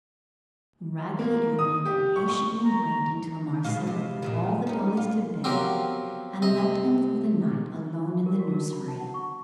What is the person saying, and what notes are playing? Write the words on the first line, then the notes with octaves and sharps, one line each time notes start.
Raggedy Andy could patiently wait until Marcella put all the dollies to bed and left them for the night, alone in the nursery.
A#3
D#6
G4
C#6
C#6
A#5
B2 G#3 F4
C3
F2 A#2 D#3
C#4 D#4
F4
F3 F#3 B3 C4 G4 A#4
C3 D#5
A#4
F#4
A#4
B5
A5
F#5
C#6